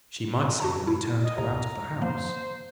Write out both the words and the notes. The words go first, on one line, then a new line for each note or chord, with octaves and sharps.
She might say that we turned her out of the house.
F#4 A5 A#5
E4
D#5
D2 G#2 C3 A#5
F3 A#3 C5